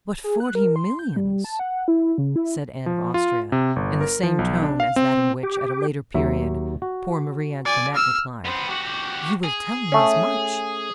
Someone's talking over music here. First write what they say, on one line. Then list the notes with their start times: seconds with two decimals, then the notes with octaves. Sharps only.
"But forty millions!" said Anne of Austria, in the same tone as that in which, at a later period, poor Marie Antoinette replied, "You will tell me as much!"
0.24 G#4
0.40 F#6
0.55 A#4
0.76 C6
0.99 G6
1.16 G3
1.44 A5
1.59 F#5
1.88 E4
2.18 C#3
2.36 E4
2.86 F3
3.14 F4
3.52 C3
3.76 G1
4.01 A#4
4.23 F3
4.39 B1
4.62 D4
4.80 F5
4.96 C4
5.43 G4
6.14 D#2 F#3 E5
6.82 F#4
7.65 D5 G#5
7.94 E6 F6
8.45 B3 C5
8.68 F#4 G4
9.44 G#4
9.92 A3 C#4